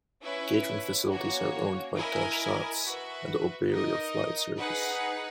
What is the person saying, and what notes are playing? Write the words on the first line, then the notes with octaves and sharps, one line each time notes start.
Catering facilities are owned by Taj-Sats and Oberoi Flight Services.
C#4 E4 B4 E5
A#3 C#4 F#4 C#5
E4 A#4 D#5 G#5
F#4 B4 E5
D#4 A#4 D#5
D#4 G#4 B4 F#5